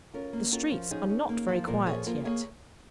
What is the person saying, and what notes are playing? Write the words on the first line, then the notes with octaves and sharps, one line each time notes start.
The streets are not very quiet yet.'
C#4 F4 A#4
A#3
C#4 F4 A#4
F3
C#4 D#4 G#4
C#4
A#3
F3
A#2 F4 A#4
F3 G#4 C#5
A#3 F4 A#4
A#3 G#4 C#5